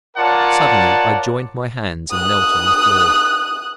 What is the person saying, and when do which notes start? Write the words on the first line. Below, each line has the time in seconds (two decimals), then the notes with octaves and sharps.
Suddenly I joined my, hands and knelt on the floor.
0.17 F4 A#4 C#5 D5 F#5 A5
2.11 D#6 F#6